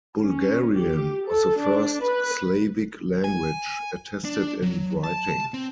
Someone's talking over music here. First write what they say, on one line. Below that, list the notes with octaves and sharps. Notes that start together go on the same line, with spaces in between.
"Bulgarian" was the first "Slavic" language attested in writing.
C#4
G4
A4
D4
B4
G#5
D4
F#3
A5
C4